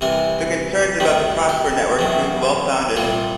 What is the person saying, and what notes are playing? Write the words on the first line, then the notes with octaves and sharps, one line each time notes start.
The concerns about the Prosper network proved well-founded.
C2 C3 E3 A#4
D2 C3 D#3 G3
G4
E2 C3 D#3 F#3
C2 A#2 G3 F4